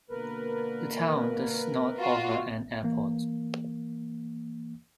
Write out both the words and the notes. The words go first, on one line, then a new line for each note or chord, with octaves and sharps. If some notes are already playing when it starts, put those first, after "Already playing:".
The town does not offer an airport.
B2 D3 A#3 A#4 B4
F4 F#4
E3 A#3